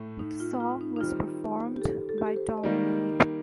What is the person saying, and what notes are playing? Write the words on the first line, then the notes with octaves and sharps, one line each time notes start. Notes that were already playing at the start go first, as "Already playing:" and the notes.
The song was performed by Tom Leeb.
Already playing: A2 A3
D#4
F4
F4
D#4
D#4
D#3 G3 C4 F4
G4
A4
A4
G4
A4
C5
D#5
D#3 G3 A#3 D#4 D5